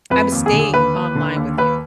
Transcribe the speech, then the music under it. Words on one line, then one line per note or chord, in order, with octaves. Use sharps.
I'm staying online with you.
F2 B4
D#2
G#4
D3
G#4
D#2 B4
D#2
D3
D#2
D#2 B4